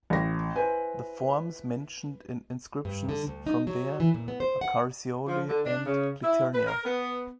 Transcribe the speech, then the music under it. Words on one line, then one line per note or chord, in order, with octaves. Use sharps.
The forms mentioned in inscriptions from there are Carsioli and Cliternia.
A1 A#6
E4 B4 C5 G#5
G2
D3
D2
D#4
F#3
E3
A#2
B3
C5
F#5
F3
D3
D4
C#3
E4
B4
A#4
B3